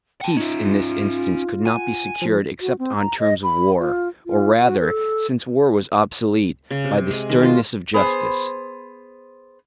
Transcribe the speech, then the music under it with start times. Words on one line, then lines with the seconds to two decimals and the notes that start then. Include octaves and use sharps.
Peace, in this instance, could not be secured except on terms of war--or rather, since war was obsolete--by the sternness of justice.
0.21 F#5 G5 A5
0.37 C#4 D#4 F4 E5
1.66 F#5 G#5
2.22 F3
2.61 F#4
2.79 C4
2.96 A#5
3.20 D#5
3.43 B5
3.80 F4
4.26 F4
4.60 F#4
4.79 A4
6.71 C#3
6.84 C3
7.11 G#3
7.30 D#3
7.43 F4
7.94 B3 G#4 C5